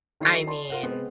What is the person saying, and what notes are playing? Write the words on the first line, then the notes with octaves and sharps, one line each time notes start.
I mean,
D#3 F#3 E4 A4 C#6 C7
D5 A5 B5 C6
F4 A#4 F#5
G#3 B3 C4